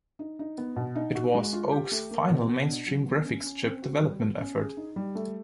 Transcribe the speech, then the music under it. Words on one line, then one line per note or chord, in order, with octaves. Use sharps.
It was Oak's final mainstream graphics chip development effort.
D#4
D#4
B3
B2
D#4
F#4
G#3
F4
G4
A3
A#3
B2
B3
D4
F#3
B3
C#4
C#4
C4
F#4
G3
B3
C#4
G#4
D#4
G3
A3